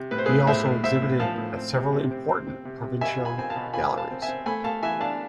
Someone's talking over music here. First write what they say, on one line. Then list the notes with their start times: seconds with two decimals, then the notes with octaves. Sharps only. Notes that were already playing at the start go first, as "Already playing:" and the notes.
He also exhibited at several important provincial galleries.
Already playing: C3
0.11 A2 B4
0.18 C5
0.26 A2 G#4 B4
0.47 A2 C5 E5
0.65 A2
0.83 A2 C5 E5
1.02 A2
1.19 F3 F5 A5
1.38 A2
1.56 C4
1.74 C3
1.92 C3
2.11 C4
2.29 C4
2.47 C4
2.65 C3
2.83 C3
3.01 B2 E5 G#5
3.19 F4
3.25 G#5 B5
3.38 C4 G#5
3.50 F5 A5
3.56 B2
3.73 F4 G#5 B5
3.92 F4
3.97 F5 A5
4.11 C4
4.22 E5 G#5
4.28 C4
4.46 A3 G#5 B5
4.64 A3 F5 A5
4.83 E3 E5 G#5
5.00 D4 F5 A5